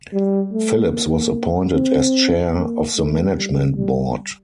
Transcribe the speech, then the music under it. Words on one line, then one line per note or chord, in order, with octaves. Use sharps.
Phillips was appointed as Chair of the Management Board.
G3
A3
A#3
C4
A#3
A3
G3
G3